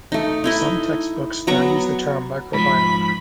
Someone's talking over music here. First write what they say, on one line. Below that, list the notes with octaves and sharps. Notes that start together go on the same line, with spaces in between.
Some textbooks now use the term microbiota.
A3 D#4
D#4 E4 D#5
F#3 B3 A#5 C#6
G#2 F3 B5